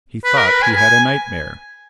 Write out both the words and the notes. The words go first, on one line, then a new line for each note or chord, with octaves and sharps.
He thought he had a nightmare.
B4
A#4
B4
G#5
G#5